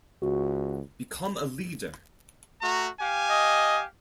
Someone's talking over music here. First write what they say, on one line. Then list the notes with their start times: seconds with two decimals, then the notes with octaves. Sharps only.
Become a leader!
0.22 C#2 F#4
2.61 A3 F#4 A#5
3.00 G4 F5 G#5
3.30 D#5